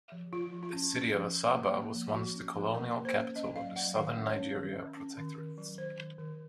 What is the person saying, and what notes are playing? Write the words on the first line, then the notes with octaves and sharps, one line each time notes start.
The city of Asaba was once the colonial capital of the Southern Nigeria Protectorate.
F3
F3 F4
F3
F4
C#4
C#4
F3
F3
A#3
A#3
F3
F3 F#4
C#4
F3
A#3 A#4
A#3
C5
C#4
C#4 D#5
F#3 F5
F#3 F#5
D#3 F5
C#4
C#5
C#4
D#3
C#4
C#4
D#3
D#3
F#3
D#3 C5
D#3
D#3